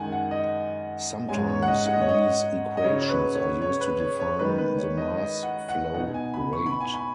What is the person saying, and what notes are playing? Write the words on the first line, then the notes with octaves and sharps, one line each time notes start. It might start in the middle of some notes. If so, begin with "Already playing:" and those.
Sometimes these equations are used to define the mass flow rate.
Already playing: F#2 D#3 G#3 D#4 F#5 G#5
F#5
D#5
G#2 G#3 C#4 G#5
C#5
F#5
D#5
F#5
D#5
C#5
D#5
D#5
C#3 F#3 C#4 C#5
C#5
B4
C#5
C#5
B4
C#5
C#5
D#3 G#3 D#4 B4
B4
C#5
D#5
D#5
F#5
F#5
B2 B3 D#4 F#5
G#5
B5
C#6
B5
G#5
B5